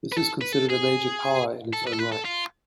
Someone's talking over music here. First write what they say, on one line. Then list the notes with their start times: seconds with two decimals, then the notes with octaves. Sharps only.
This is considered a major power in its own right.
0.12 B4
0.18 A4
0.41 B4
0.52 A4
0.69 G#4
1.73 A4
1.87 B4
1.93 A4
1.99 B4
2.12 A4
2.25 F4